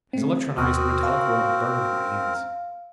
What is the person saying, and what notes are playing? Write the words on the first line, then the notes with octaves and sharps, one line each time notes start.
His electronized metallic robe burned my hands.
A3 C4
D#2 C4 F#4 A#4 D#6
F5